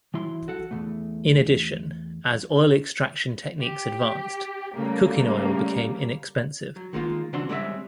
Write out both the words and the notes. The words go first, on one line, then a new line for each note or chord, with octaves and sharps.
In addition, as oil extraction techniques advanced, cooking oil became inexpensive.
E3 F#3 E4 C6
F#4 A4 F#5
E2 C3 A3
G4
C#3 G3 A3 A#3
F#3
D#3 G#3 A#3 F4
C#2 E3 C4 D4 F#4 C6
G3 G#3 C4 C#5 D5 E5